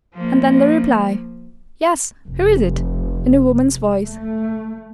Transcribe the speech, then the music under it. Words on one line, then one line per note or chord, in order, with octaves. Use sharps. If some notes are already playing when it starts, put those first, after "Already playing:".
And then the reply, 'Yes, who is it?' in a woman's voice.
F3 A#3
F1
A3